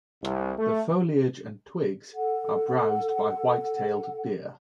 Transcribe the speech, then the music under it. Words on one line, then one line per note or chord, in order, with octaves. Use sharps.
The foliage and twigs are browsed by white-tailed deer.
C2
A3
A4 F#5